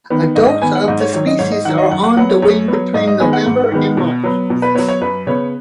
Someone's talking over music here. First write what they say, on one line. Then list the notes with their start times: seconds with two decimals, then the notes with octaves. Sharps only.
Adults of the species are on the wing between November and March.
0.10 D#3 B3
0.35 G#2 D#5
0.48 D#5
0.62 D#3 B3 G#5
0.75 F#5
0.88 G#2 D#5
1.00 C#5
1.13 D#3 F#3 C#5
1.27 D#5
1.39 G#2 C#5
1.52 D#5
1.65 D#3 F#3 F#5
1.78 D#5
1.91 F#2 F#5
2.04 F#5
2.17 F#3 B3 F#5
2.30 C#5
2.42 F#2 C#5
2.68 F#3 B3
2.94 G#2 D#5
3.07 D#5
3.20 D#3 G#3 B3 G#5
3.33 F#5
3.46 G#2
3.72 D#3 G#3 B3
3.97 B2
4.24 F#3 B3
4.50 B2
4.62 B4
4.75 F#3 B3 C#5
4.88 C#5
5.01 F#2 B4
5.27 C#3 B3 C#5